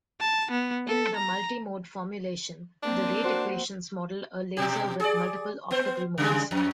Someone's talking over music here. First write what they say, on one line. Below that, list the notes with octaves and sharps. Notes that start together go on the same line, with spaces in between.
In the multimode formulation, the rate equations model a laser with multiple optical modes.
A5
B3
A4
A#5
A#3 C4 D4
F#4 C5
B2 G4
G#4 D5
B3 C5
C#3 G3 G#3
F2